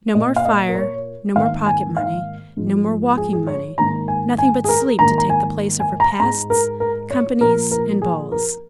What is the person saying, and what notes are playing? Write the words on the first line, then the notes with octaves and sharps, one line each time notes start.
No more fire, no more pocket-money, no more walking-money, nothing but sleep to take the place of repasts, companies and balls.
A#2 A#3 D#5
F5
D#5
A#4
C#5
G#2 D#3 A#3 F5
G#5
F5
G#2 F3 G#3
G#4
G#4
C#5
G#2 D#3 A#3 A#5
G#5
G#5
G#4
A#4
G#2 D#3 A#3 A#5
A#5
G#5
G#5
A#5
G#2 G#3 A#5
A#4
A#4
C#5
A#2 F3 A#3 A#4
A#4
G#4
A#4